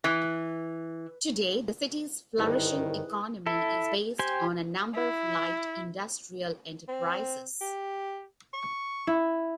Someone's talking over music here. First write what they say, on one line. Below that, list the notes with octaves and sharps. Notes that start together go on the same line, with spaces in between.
Today the city's flourishing economy is based on a number of light industrial enterprises.
E3
G1 C2 F#2 D3 D#3 E4 G#4 B4
E4 A4
G4 C5 G5 G#5
E4
C4
G4
C#6
E4